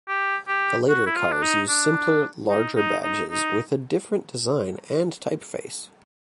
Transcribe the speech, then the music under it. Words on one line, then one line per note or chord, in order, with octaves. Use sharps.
The later cars use simpler, larger badges with a different design and typeface.
G4
G4
F#4
E4
F4
D4
D#4
D4
D#4
D#4
D#4
D#4